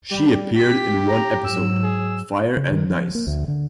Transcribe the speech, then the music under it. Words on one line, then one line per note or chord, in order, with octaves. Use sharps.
She appeared in one episode, "Fire and Nice".
G3 G4
G4 B6
A#5
G#2 F#3 E6
G#4
C#3
D#3
F3
A#3
D2
D3